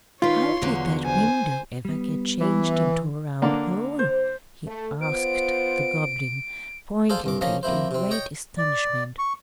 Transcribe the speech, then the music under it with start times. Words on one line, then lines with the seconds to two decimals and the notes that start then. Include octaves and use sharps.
"How did that window ever get changed into a round hole?" he asked the Goblin, pointing to it in great astonishment.
0.22 D#3 F4 B4 C#5 C6
0.62 E2 D3 F#3
1.05 C5 G#5
1.85 G3 B3
2.40 E3
3.42 D3 A#3 D4
3.99 C5
4.67 A3
5.01 B3 F4 C5 D7
7.09 G#4 A4 C5 D5 F5
7.24 C2 G2 D6
7.41 F3 A#3 C#4 D#5
7.63 F2 A#3 E4 C5
7.91 C3 C4
8.11 C#5 D#5 G5 C#6
8.58 D5
9.19 C#6